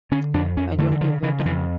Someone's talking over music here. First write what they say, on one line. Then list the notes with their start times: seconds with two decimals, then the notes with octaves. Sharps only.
I don't give a damn.
0.12 D3 C#4
0.34 F2 D4
0.57 F2 C#4
0.78 D3 A3
0.92 E3
1.01 C#3 F3
1.23 C#3 E3
1.39 F3
1.45 F2 E3